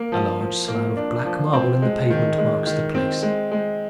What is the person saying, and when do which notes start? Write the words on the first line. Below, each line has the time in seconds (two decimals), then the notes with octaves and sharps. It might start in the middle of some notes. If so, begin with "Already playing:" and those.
A large slab of black marble in the pavement marks the place.
Already playing: A#3
0.12 F3
0.40 F3
0.68 A#3
0.97 D4
1.25 F3
1.53 C4
1.82 G#3
2.10 D#3
2.38 G#3
2.67 D#3
2.95 C4
3.22 G#3
3.51 G#3